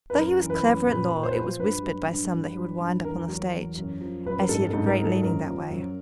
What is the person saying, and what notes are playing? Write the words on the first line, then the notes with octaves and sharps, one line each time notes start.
Though he was clever at law, it was whispered by some that he would wind up on the stage, as he had a great leaning that way.
B4
F#2 A#4
E3
B4
F#2
A#2 B4
A#2
C5
B4
F3 C5
G2 B4
F#3
G2
G2
F#3
G2
E2 A#4
F#3
E2
F#2
F3
F#2 B4
A#4
G#2 A4
A4
G#2
A#4
F3
A4
F#2 A#4
F3
F#2